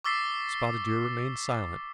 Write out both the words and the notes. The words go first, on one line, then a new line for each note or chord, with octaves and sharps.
Spotted Deer remained silent.
C#6 D6 E6 A6 B6 C7